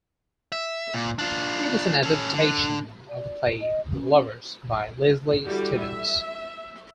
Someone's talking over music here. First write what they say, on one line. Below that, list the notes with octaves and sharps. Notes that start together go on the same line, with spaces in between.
It is an adaptation of the play, "The Lovers", by Leslie Stevens.
E5
A#2
D4 F4
C#4 A4
D3
D5
D#5
C#4
D3 E3 G3 F#4 G4
E5